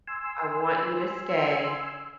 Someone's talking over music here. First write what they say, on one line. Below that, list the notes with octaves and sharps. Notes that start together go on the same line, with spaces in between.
I want you to stay.
G#5 C6 E6